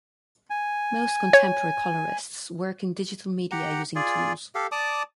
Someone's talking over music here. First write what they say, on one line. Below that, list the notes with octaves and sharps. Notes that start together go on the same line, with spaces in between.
Most contemporary colorists work in digital media using tools.
G#5
C#5
G4 F#5 G5 A#5
F4 G#4 D5 G#5
G4 A4 F5
D5 A5 D6 D#6